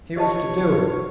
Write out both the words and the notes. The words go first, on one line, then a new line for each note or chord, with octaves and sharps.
He was to do it.
G4 C#5 D#5 A5